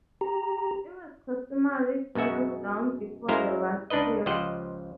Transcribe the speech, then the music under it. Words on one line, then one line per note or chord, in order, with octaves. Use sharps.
It was customary to kneel down before the last sheaf.
G4 A#5
F#2 B2 G#3 F#4 E5
F#2 G#3 E4 C5 F5 A#5
C#2 D4 D#4 B4 D#5
C#2 F3 G4 C5 D#5 F#5